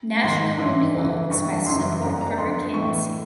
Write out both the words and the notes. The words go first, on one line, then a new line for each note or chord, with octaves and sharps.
National Renewal expressed support for her candidacy.
G#2 D#3 C6
G2 E3 C6
F2 C#3 E3
G2 E3 C#6
F#2 C#3 E3 C6
G2 D3 A#5
A#5
F2 D3 C6
A2 E3 C#6